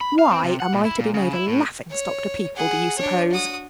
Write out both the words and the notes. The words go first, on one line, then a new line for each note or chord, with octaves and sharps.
Why, am I to be made a laughing-stock to people, do you suppose?
B5
F5
C4
C3
F#5
A#2
E4
A#2
C#3
E4
A2
C#5
G#4 F#5
D4 C#5
F#4 D#6